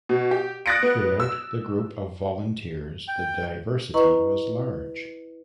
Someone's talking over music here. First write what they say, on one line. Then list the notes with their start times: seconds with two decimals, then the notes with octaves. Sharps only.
Throughout the group of volunteers the diversity was large.
0.09 B2
0.31 G4
0.66 D#6 F#6 A6 A#6 C#7 D7
0.83 B3
1.20 E6
3.08 G5
3.94 E4 B4 D#5 A#5 C#6